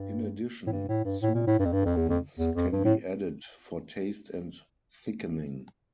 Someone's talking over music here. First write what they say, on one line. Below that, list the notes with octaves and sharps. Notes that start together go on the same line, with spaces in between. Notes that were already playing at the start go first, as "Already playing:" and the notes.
In addition, soup bones can be added for taste and thickening.
Already playing: G2
A2
G2
A2
G2
A2
A#2
A2
G2
F2
G2
F2
E2
F2
E2
F2
G2
A2